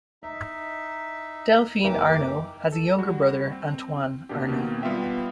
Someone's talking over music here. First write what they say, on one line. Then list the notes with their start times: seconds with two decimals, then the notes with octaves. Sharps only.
Delphine Arnault has a younger brother, Antoine Arnault.
0.23 D#4 D#5 E5
1.84 F#1 E3 D#4 G4 A#4 E5 D6
2.72 A4
2.98 G3 F#4
3.52 C4
4.29 B2 A#3 C4 D4 G4
4.48 B2 D#3 A#3 C4
4.82 G3 B3 F4 G4 E5 G5